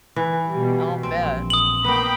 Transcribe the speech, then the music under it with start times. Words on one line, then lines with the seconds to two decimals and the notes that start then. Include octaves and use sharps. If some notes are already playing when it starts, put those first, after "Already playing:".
I'll bet.
0.16 E3
0.52 B2 G3
1.03 A#1 C4
1.50 D#6 F#7
1.84 A#3 B3 G5 B5